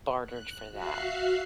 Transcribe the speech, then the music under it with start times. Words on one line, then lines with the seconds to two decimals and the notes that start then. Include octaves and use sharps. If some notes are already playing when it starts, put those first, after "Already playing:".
bartered for that.
0.23 F#6
0.71 F#4 E5 F5 F#6 C7